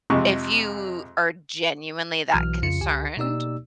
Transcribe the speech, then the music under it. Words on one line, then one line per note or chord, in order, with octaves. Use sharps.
if you are genuinely that concerned,
F2 C3 G#3 C#6
B1 E3 F#4 F6
F2 C#3 F4 C#7
C#2 D3 G4 G#5
B2 A#3 D#4 G4 D5 E6